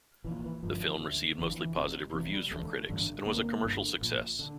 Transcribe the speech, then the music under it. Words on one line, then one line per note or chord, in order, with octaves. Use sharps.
The film received mostly positive reviews from critics and was a commercial success.
A#1 E3
A#2
E3
G1 G2 D3 F3
D2 D3
F1 E2 D3 E3
F3
E3
F1 F2 C3
E1 E2 C3 E3
G3
F1 E2 D3 A3
A1 G2 D3
D2 C3 A#3
G1 G2 D3
A#1 A#2
D3